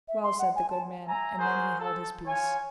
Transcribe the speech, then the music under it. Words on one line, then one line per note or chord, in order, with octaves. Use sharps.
Well, said the good man, and then he held his peace.
E5
C6
F#5
G#5
A5
E5 G#5 A#5
F#4 G#4 A#4 C5
A4
F4 C#5 G#5